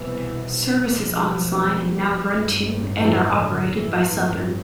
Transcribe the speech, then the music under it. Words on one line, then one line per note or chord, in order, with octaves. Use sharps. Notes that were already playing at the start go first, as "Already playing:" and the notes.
Services on this line now run to and are operated by Southern.
Already playing: C2 B2 E3
F1 E2 B2
A1 G2
E3
D3
A1 G2 E3
E3